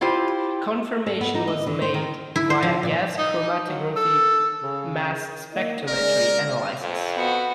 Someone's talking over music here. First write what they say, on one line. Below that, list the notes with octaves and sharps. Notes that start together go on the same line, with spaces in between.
Confirmation was made via gas chromatography-mass spectrometry analysis.
E4 F4 G4 C5
A4
B3
D#4
D#5
D3
C5
D#3
E4
C5
F3
A#2
D#4
F#3
A4
C#3
D#3 A#3 D#4
C#3 G#3 A#4 D5
F2
B3 F#4